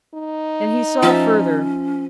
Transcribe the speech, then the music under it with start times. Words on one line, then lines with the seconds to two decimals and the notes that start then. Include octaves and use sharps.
And he saw further.
0.15 D#4
1.02 F3 C#4 E5 A5